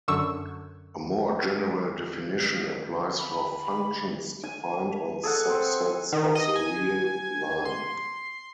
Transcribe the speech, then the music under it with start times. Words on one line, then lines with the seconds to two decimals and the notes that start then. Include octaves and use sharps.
A more general definition applies for functions defined on subsets of the real line.
0.08 F#2 D3 C#6 E6
3.19 B5
4.44 G#5
5.23 G#4 A4 F#5
5.49 C4
6.13 D#3
6.35 D#5
6.56 G#5
7.65 C6